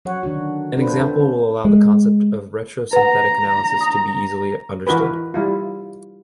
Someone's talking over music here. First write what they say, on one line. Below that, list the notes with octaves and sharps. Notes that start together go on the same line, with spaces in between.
An example will allow the concept of retrosynthetic analysis to be easily understood.
F#3 C#5 F#5
D3 D#3 D4 F#4
D4 F4 A4 B4 C5
C4 D4 A4
C#4
G#3
B4 F#5 A#5
D#6
E3 D#4 F#4 A#4 B4
G3 E4 F4